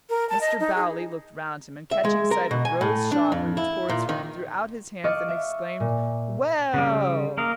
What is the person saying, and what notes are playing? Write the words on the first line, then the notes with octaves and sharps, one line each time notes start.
Mr. Bowley looked round him, and catching sight of Rose Shaw moved towards her, threw out his hands, and exclaimed: "Well!"
A#4
A5
D#5
D#4
G#4
E5
G#3
A#4
B2
G#5
A2
D4
F2
E4
A#2
D#3
D#5 F5 C#6 D6 F#6 A6
E5
A#2
C#3 G3
A#3 A#4 D#5 F5